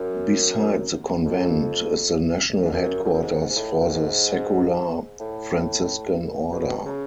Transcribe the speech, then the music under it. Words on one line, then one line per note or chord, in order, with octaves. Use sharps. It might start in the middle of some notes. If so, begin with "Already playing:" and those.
Beside the convent is the national headquarters for the Secular Franciscan Order.
Already playing: F#2
F2
F#2
G#2
F#2
F2
F#2
G#2
G#2
A2
F#2
G#2
A2
B2
C#3